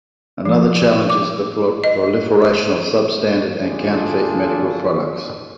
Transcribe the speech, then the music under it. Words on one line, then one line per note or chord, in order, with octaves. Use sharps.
Another challenge is the proliferation of substandard and counterfeit medical products.
F3
D6
D#5
D2 A#2 D4 F4 G#4 A4